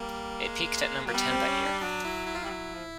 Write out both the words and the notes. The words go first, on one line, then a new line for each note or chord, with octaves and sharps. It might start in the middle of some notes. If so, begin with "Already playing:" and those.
It peaked at number ten that year.
Already playing: G3 A#3
G#3
F#3 A#3
G3 B3
C4
C#4
D4
F#3 D4
E4
E4
F4
G3 E4
F#3
F3